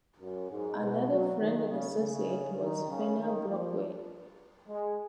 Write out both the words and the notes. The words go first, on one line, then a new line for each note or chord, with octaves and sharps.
Another friend and associate was Fenner Brockway.
F#2
G#2
B2
F#3
D#3
C#3
C#3
D#3
C#3
D#3
F3
G#3